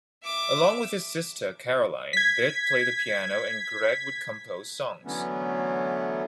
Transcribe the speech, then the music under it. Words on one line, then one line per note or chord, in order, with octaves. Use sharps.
Along with his sister, Caroline, they'd play the piano and Gregg would compose songs.
E5 D6
G#6 B6
D3 E3 F#3 A3 B3 C#4